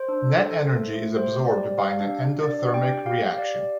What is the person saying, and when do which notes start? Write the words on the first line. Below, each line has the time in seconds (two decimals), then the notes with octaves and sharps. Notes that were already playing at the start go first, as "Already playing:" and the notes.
Net energy is absorbed by an endothermic reaction.
Already playing: C5
0.08 D4
0.30 A4
0.52 A4
0.72 A3
0.94 A3
1.15 G4 C5
1.36 G4
1.46 D5
1.58 G4
1.78 G4 F5
2.00 D4
2.21 D4
2.43 D4 D5
2.63 G4
2.74 G5
2.85 G4
3.06 G4 F5
3.27 G4
3.38 D5
3.48 G4